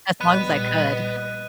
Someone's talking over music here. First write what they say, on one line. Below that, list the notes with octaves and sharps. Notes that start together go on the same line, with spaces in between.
as long as I could.
A#1 A#2 G3 B3 D#5 F#6 D#7